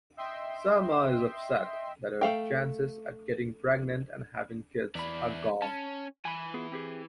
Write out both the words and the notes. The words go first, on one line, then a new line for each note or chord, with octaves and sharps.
Selma is upset that her chances at getting pregnant and having kids are gone.
D#5 E5 G5 C6
A3 F5 G5
E2 E4 D5 B5
C#4 A5
E3 G#5 B5
B3 F4 G#4
C4 G4 G#4